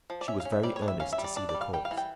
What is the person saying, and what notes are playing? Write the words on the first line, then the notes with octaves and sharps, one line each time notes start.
She was very earnest to see the corpse.
F3
D5
C#4 E5
F5
C#4
E5
G3 D5
C#5
D4
E5
C#4 F5
E5
G3
D5
D4 D5
D5
G3
F5
G3 G5
F5
E3
G5